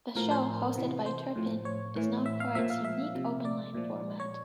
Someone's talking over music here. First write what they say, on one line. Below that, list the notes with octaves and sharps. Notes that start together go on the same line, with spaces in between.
The show, hosted by Turpin, is known for its unique open-line format.
A2 F3 A#4
C5
C3 E3
C5
A2 F3
C#5
A2 E3
E5
F5
A#2 F3 E5
F5
E5
C3 F3
D5
A#2 F3
C#5